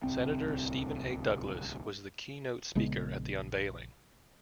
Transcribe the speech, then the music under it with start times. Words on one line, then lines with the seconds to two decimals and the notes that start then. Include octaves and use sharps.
Senator Stephen A. Douglas was the keynote speaker at the unveiling.
0.04 D1 C2 C4
2.75 A#1 C#3 G#3 B3